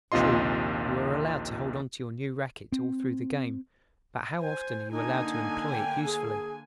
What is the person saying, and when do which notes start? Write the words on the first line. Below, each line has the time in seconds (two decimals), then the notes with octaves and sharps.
True, you are allowed to hold on to your new racket all through the game, but how often are you allowed to employ it usefully?
0.12 A#1 D#2 C3 F4 D#5 C6
2.72 C4
4.39 C5 G#5
4.91 D3 A#3 D#4 G#5
5.71 G5
6.05 G#4